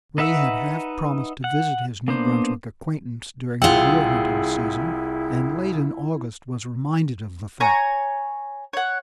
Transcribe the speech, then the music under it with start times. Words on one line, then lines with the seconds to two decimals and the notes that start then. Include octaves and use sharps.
Ray had half-promised to visit his New Brunswick acquaintance during the deer-hunting season, and late in August was reminded of the fact.
0.18 D#4 B4 E5 F#5 E6
1.44 F#5
2.08 A#3 B3 D4 C5
3.62 C2 E4 F4 G#4 F#5 G5 E6
7.60 C#5 G#5 A#5 C#6
8.73 C#5 F#5